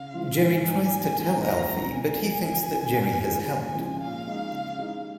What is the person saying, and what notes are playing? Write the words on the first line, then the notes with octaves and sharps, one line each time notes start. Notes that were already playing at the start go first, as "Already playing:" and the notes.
Gerry tries to tell Alfie but he thinks that Gerry has helped.
Already playing: C#3 F5
F3 G#3 F4
G#2 G#5
F3 G#3 D#4
D#2
C#3 G#3 F4 G#4
A#2 A#5
G#3 C#4 F4
F2 G#5
F3 G#3
C#2
C#3 G#3
D#2
D#3 G#3 F4 G#4
D#2
C#3 F3 G#3 C#4
A#2 F5
G#3 D#4
C#3
G#3 D#4 G#4